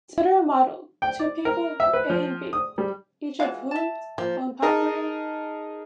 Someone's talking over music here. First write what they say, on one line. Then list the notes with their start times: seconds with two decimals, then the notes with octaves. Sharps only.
Consider a model: two people, A and B, each of whom owns property.
1.02 G5
1.19 D5
1.45 A#4
1.80 E5
1.93 B4
2.10 F3
2.53 D#6
2.78 G3
3.40 E3 G#3 F4 F#4 F5
3.71 E5 A5
4.18 F3 A#3
4.62 D#4 G#4 A#4 D#5 A5